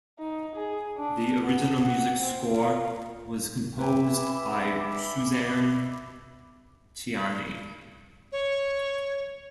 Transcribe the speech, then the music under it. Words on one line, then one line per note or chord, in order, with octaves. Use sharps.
The original music score was composed by Suzanne Ciani.
D#4
G#4
D4
B3
F#5
C4
F4
B4 E5 G5 G#5 B5 D6
C#5